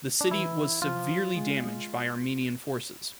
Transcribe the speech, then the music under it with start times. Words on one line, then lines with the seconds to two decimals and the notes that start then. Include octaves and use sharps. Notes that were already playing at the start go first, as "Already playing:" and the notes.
The city was severely damaged by Armenian forces.
0.21 D4
0.31 E3 E4
0.82 F3 F4
1.34 G#3